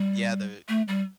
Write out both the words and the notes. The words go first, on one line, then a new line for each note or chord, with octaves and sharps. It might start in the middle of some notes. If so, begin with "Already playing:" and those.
yeah, the
Already playing: G3
A3
G3